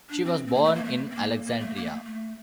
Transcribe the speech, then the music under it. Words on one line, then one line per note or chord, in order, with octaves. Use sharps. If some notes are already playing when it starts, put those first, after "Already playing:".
She was born in Alexandria.
D4
C4
C4
A#3
A3
A#3
A3
C4
A#3
A#3
A3
A#3
A3
A3